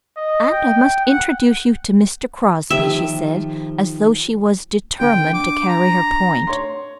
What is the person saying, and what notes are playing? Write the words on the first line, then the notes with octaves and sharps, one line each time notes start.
"And I must introduce you to Mr. Crosbie," she said, as though she was determined to carry her point.
D#5
G5
F#5
D#3 F3 G4 E5
D3 G5
D6
A#5
C#5 C6